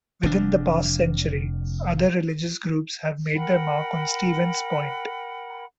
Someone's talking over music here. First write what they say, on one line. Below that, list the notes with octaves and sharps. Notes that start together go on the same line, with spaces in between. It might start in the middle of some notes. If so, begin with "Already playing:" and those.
Within the past century, other religious groups have made their mark on Stevens Point.
F1 F2 D4
A#4 F#5 G5 B5